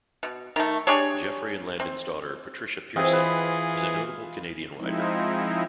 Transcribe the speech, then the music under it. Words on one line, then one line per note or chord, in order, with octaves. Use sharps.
Geoffrey and Landon's daughter Patricia Pearson is a notable Canadian writer.
B2
D#3 A3
D4 G4 G#4 C#5
C4
E3 C4 F4 G#4 D#5
B4
F3 G#3 C4 D#4 E4